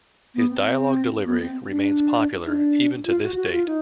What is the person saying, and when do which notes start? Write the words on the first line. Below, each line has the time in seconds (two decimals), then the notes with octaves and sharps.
His dialogue delivery remains popular even to this date.
0.35 B3
0.50 C4
1.25 B3
1.40 C4
1.70 D4
2.46 D#4
2.50 D4
3.06 F4
3.21 F#4
3.37 F#4
3.51 F4
3.67 D#4